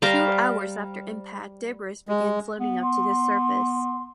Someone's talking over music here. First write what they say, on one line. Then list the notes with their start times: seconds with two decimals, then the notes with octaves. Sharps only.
Two hours after impact, debris began floating up to the surface.
0.02 G3 C5 F5 A#5
2.08 G#3
2.60 B3
2.83 C6